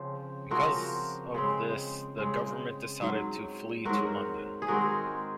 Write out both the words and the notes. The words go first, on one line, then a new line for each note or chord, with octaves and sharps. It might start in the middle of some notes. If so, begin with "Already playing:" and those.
Because of this the government decided to flee to London.
Already playing: C#3 F3 C4
C#3 F3 C4 F#4 A#4
C#3 G#3 C4
C#3 G#3 C4
G#2 F#3 C4
G#2 F#3 C4 F#4 A#4
G#4
D#3 G#3 C4 F#4 A#4